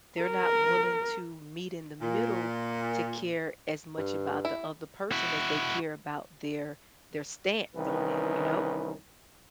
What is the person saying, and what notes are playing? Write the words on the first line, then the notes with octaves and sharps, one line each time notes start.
They're not willing to meet in the middle to care as much about the other person as they care about their their stance on it, you know?
A#4
A#2
G2
E4
E4 F#4
C2 D#3 E3 C#4 B4